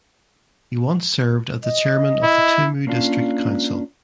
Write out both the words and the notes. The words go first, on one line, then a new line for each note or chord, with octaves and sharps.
He once served as the chairman of the Tumu District council.
D#5
E4
A#3 C#4 D4 F4